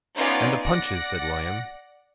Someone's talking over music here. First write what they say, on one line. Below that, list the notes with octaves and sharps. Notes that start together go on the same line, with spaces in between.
'And the Punches,' said William.
B3 C#4 D#4 F4 D5 G#5
D5 F#5 A#6